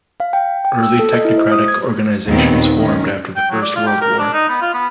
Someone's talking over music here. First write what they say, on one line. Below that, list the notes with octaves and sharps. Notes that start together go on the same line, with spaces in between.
Early technocratic organisations formed after the First World War.
F5
G5
G5
E6
A4
D#5
E4
C5
D#6
G#6
D#2 A#2 D#3 B3 C4
D#3 C#4
G5
F#3
D5
F4
G4
A#4
D4
D#4
B3
F4
B3